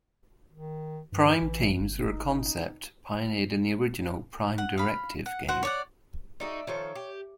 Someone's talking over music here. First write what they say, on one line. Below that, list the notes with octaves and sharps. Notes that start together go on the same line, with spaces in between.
Prime Teams were a concept pioneered in the original "Prime Directive" game.
D#3
G2 E3
A1
G1
D#4
F#5
F5 B5
F#5
F#4 C5 F#5
C#5 D5 F#5
D#4 F#4 G#4 D5 E5
D#3 F3 A4 C#5
G4